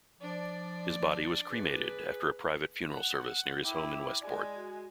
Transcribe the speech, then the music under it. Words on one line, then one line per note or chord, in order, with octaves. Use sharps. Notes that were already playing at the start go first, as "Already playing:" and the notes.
His body was cremated after a private funeral service near his home in Westport.
F3 D4 D5
G#4 B4
F#5
E4 G5 D6
G#3 D5 G#5
F#4